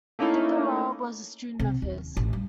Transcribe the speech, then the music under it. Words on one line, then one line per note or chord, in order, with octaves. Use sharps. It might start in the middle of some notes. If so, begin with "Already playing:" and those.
Dipa Ma was a student of his.
A3 A#3 C#4 D#4 E4
C3
D#2
A1
G2